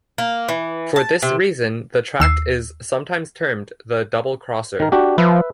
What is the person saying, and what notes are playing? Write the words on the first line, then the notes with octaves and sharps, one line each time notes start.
For this reason the tract is sometimes termed the double-crosser.
A#3
E3
A5
C3
D#2 E6 C7
D#3 A#4
D4 F#4 G4
F3 B4 E5